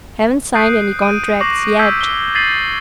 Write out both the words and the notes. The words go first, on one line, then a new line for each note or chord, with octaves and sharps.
'Haven't signed any contracts yet.
D#6 F#6 G6 C7 D7 D#7
D7 D#7
C#6 D6 A#6 C7 F#7
E6 G6 G#6 B6
G7
G#6 A6 B6 C7 D#7 F#7